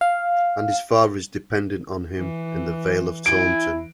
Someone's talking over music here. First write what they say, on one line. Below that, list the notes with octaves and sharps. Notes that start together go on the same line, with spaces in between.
And his father is dependent on him in the Vale of Taunton.
F5
E3
E4 G#5 D7